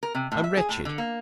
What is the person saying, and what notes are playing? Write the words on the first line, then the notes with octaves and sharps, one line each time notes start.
I'm wretched.
A#4
C3
A2
E5
G#4
A2
D3
A#3